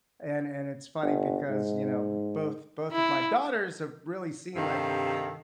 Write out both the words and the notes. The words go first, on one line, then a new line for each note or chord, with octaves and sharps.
and and it's funny because, you know, both both of my daughters have really seen, like,
G1
G#2
E4
G2 C3 D#3 A4 F5